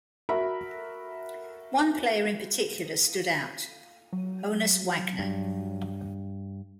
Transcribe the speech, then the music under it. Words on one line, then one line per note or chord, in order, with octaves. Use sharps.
One player in particular stood out--Honus Wagner.
F#4 A#4 E5 B5
F#3
G2